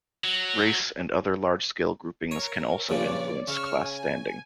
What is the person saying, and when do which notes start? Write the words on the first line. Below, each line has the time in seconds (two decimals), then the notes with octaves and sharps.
Race and other large-scale groupings can also influence class standing.
0.24 F#3
2.31 A#4 C#5
2.89 A#1 G2 C#3 C#5 D5
3.48 C#3 C#6 E6 F6
3.81 G#5